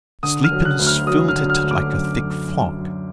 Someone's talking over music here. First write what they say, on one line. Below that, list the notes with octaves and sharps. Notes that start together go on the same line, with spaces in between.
Sleepiness filled it like a thick fog.
D3 D#6
F6
F#3
F#6
D2
F6
F#3 D#6
F6
D3
F6
D2
D6
F#2
F#2
F#2
F#2